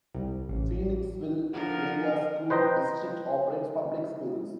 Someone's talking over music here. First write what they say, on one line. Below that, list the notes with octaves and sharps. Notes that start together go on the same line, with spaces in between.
Phoenixville Area School District operates public schools.
C2
A1
D3 F3 A#4 F#5
G#5
B4 C5 D#5 G5 A#5